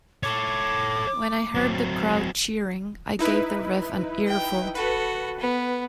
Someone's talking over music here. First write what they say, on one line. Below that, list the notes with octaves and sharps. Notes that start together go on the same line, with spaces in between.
When I heard the crowd cheering, I gave the ref an earful.
A4 C#5 D6
F#3 C4
D#4 E4 B4
G5
F#4 A4 B4
B3